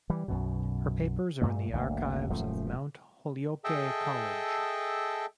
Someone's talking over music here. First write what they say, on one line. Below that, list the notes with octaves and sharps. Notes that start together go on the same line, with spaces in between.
Her papers are in the archives of Mount Holyoke College.
E3 G3
B1 F#2 B2
G2 A#2 A3
G1 D2 A#3
D#1 F#2 F3 A3
G#4 A4 D#5 E5 G5 A5